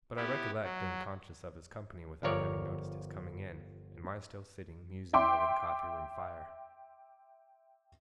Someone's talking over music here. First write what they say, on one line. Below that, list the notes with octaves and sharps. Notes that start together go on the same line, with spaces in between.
But I recollect being conscious of his company without having noticed his coming in--and my still sitting, musing, over the coffee-room fire.
B3 E4 G4
F#3
G1 F3 A#4 C#5 D5
E5 G5 C6 D6